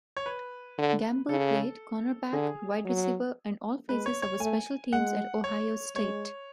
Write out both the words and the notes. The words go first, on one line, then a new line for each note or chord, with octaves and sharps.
Gamble played cornerback, wide receiver, and all phases of special teams at Ohio State.
C#5
B4
D3
C#3 A4
D3 G#4
F#3
G#3 B4
C#5
C#5
A3 G#5
G#3 F#5
C#5
G#3 C#5